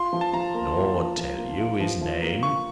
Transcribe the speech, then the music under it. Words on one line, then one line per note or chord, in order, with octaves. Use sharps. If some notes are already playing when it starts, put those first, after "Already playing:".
"Nor tell you his name?"
Already playing: F4 C6
F3
A5
F3 A#5
A#3
F4
F3
F3
A#3
F4
F3
F3
A#3
F4 C#6